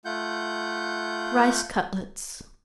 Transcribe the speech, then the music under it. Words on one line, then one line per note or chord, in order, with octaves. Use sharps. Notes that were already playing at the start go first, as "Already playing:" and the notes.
Rice Cutlets.
A3 F4 F#5 G6